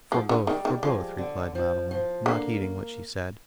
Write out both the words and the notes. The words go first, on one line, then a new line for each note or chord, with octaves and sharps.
'For both, for both,' replied Madeline, not heeding what she said.
G#2 F3
D3
D#3 G3
D#3
F3 G#3
D3
F3
F3
D3 A#3